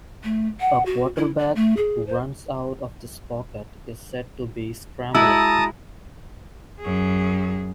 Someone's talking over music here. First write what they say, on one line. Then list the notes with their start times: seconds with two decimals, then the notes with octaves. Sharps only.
A quarterback who runs out of this pocket is said to be scrambling.
0.23 A3
0.60 F#5
0.85 F#4
1.16 E4
1.38 D5
1.55 A3
1.77 G#4
2.06 C5
5.15 G#3 E4 F#4 A5 A#5 D#6 E6
6.81 F#2 G#4